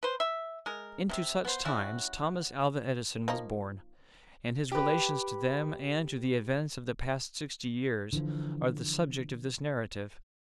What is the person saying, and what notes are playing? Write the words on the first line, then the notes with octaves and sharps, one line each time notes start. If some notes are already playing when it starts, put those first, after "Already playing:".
Into such times Thomas Alva Edison was born, and his relations to them and to the events of the past sixty years are the subject of this narrative.
B4 C5
E5
G#3 A#4
C3 D#4 E5
B3 C5
G3 C#4 E4 F#4
F3 A#3 D#4
G4 B4
D3 E3 F3